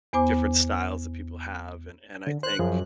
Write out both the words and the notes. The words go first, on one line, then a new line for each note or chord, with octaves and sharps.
different styles that people have, and and I think,
E2 B3 C5 G#5 D6
D3
C5 F#6
F#2 F3 G#4